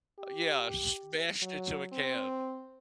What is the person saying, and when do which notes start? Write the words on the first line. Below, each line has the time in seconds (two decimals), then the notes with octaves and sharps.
yeah, smashed into a can.
0.19 G4
1.42 F#3
1.93 C4